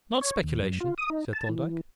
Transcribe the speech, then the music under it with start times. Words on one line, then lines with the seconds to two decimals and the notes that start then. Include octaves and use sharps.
"Not speculation," said Thorndyke.
0.21 C#5
0.44 D#2
0.63 F#2
0.80 F4
0.98 D#6
1.10 D#4
1.33 A5
1.49 E3